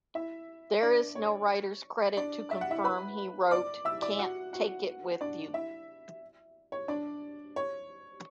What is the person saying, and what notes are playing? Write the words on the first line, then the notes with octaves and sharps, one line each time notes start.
There is no writer's credit to confirm he co-wrote "Can't Take It with You".
E4 E5
D4 D5
C#5
D4 D5
E5
F#5
E4 E5
B4 B5
D5 D6
E5 E6
D5 D6
F#4 F#5
F#4 F#5
D4 D5
E4 E5
C#5
D4 D5
C#5